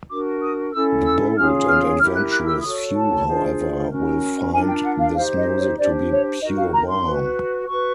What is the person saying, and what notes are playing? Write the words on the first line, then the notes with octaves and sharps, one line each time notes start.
The bold and adventurous few however, will find this music to be pure balm.
D4 F#4 A#4 D6
D#6
C#4 E4 A4 E6
E6
C#4 F4 G#4 C#5 F6
F6
E4 G4 A#4 F6
F#6
F#6
E6
F#4 A4 C#5 D#6
A5
D4 F4 G#4 C5
C#4 F#4 A#4
D4 F4 A#4 G#5
G5
F#5
F5
D#4 G4 C5 F5
D#5
C#5
D4 G4 C5 D5
C#5
D#4 F#4 A#4 D#5
F5
A#5
C6
F#4 B4
F#4 B4 C#6